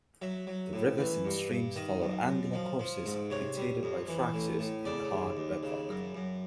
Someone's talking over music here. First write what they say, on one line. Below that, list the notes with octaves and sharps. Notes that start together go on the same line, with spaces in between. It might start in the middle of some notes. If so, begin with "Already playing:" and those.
The rivers and streams follow angular courses dictated by fractures in the hard bedrock.
F#3 E5
F#3
A2
E3
G2
G2
D#3 D#5
F#2
F#2
F3
F3
G#2
C3 C#5
G3
F2
E3
A2
A2
C#3 D5
D#2
D#2
C#3
F#2
F#2